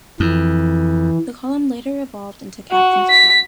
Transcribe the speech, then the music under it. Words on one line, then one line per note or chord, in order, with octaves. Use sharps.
The column later evolved into Captain's Blog.
F2 E3
F#4
B6